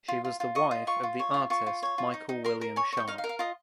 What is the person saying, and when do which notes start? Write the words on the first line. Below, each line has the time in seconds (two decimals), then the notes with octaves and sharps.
She was the wife of the artist Michael William Sharp.
0.08 F4
0.25 F4
0.40 F4
0.55 D#5 C#6
0.71 F4
0.87 F4 C#6
1.03 F4
1.19 C#5
1.34 F4
1.50 F4 C#6
1.66 F4
1.82 C#5
1.98 F4
2.14 D#4
2.29 D#4
2.44 A#4 C6
2.61 A#4
2.76 C#5 G#5
2.92 C#5 G5
3.08 D#4 F5
3.18 F5
3.24 A#4
3.29 F5
3.39 F4 D#5